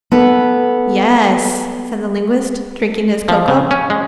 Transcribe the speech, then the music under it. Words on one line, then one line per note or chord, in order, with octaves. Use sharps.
"Yess," said the linguist, drinking his cocoa.
B3 A4 B4
F3
C#3
C#4
G#3